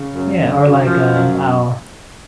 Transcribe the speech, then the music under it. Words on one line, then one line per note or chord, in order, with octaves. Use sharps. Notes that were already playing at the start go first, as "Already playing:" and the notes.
yeah, or, like, um, I'll
Already playing: C#3
F#2
D3
F#2
F3
F#2